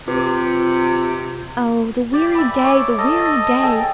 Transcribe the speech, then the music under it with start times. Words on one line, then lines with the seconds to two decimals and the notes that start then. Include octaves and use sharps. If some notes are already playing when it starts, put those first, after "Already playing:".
Oh, the weary day! the weary day!
0.08 C3 F4
2.13 G4 D5
2.35 E5 G#5 B5
2.64 C#5 D6
2.98 A4 D#5
3.62 G#4 A4 G5